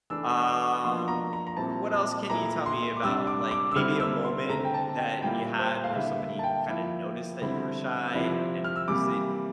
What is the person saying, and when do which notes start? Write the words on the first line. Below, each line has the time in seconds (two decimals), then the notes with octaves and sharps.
Um, w what else can you tell me about, like, maybe a moment that you had where somebody kinda noticed that you were shy, and and was it
0.10 E3 A3 D4 E6
0.47 D6
0.83 F3 A#3 D4 C6
1.08 A#5
1.33 A#5
1.47 A#5
1.57 A#2 G3 C4 E4 A5
1.93 A5
2.30 A#2 A3 E4 A#5
2.66 C6
2.96 D6
3.03 C3 G3 D4 E6
3.27 D6
3.51 D6
3.71 E6
3.76 D3 G3 C4 E4 F6
4.00 E6
4.24 C6
4.49 D3 A3 C4 A#5
4.65 G5
4.74 A5
4.98 G5
5.22 A#2 G3 A#3 E4 G5
5.59 C5
5.84 F5
5.95 D3 G3 A#3 E4 E5
6.19 E5
6.39 A5
6.44 G5
6.69 F3 A#3 E4
7.42 D3 G3 C4 E4
8.14 C3 F3 C4 E4
8.64 F6
8.76 E6
8.88 C3 E3 G3 A#3 D6